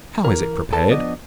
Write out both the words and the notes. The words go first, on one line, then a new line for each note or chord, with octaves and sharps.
How is it prepared?
E3 A#4
A4 B4 A5
F3 B3 D4 D5 D#5